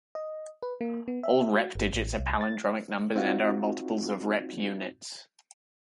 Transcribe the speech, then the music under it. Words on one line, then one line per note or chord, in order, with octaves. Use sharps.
All repdigits are palindromic numbers and are multiples of repunits.
D#5
B4
A#3
B3
E5
F#4
G1
A1
C2
A6
C4 D#4 F4 F#4